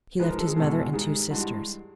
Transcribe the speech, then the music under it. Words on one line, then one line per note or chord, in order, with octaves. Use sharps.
He left his mother and two sisters.
G#2 F3 G#3 B4
A#4
A4
G#4
E2 B2 G#3 A4
G#2 D#3 G3 G#4
G2 E3 G#3 F#4
G4